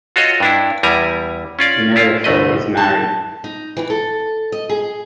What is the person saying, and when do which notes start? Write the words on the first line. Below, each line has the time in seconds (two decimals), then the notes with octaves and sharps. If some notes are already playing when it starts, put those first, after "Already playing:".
Emmerich is married.
0.16 F4 F#4 A4 C#5 D#5
0.40 G2 D4 E4
0.83 E2 G3 E4 G#5 A#5
1.59 C#4 F4 D5
1.96 E4 F4
2.24 G1 C2 A3 B4 D#5
2.77 A5
3.44 D#4
3.77 E3
3.90 A4
4.52 D#5
4.69 G#4